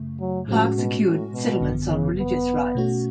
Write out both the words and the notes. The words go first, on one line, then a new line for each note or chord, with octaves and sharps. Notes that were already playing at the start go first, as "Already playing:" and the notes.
Clarke secured settlements on religious rights.
Already playing: F#2 C#3 A3
F#3
A2 F3 G#3 C#4 F#4
B2
A2
B2
G#1 F#2 D3 F#3 B3
C#3
B3
B2 A3 C#4 F#4